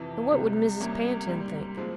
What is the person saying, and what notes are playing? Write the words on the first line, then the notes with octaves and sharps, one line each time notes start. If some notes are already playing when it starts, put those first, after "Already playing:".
And what would Mrs. Pantin think?
Already playing: F2 C3 E3
C2 C3 G3
C2 C3 G3 A#3 C#4
G#2 G3 A#3
A#2 F3 G#3 C4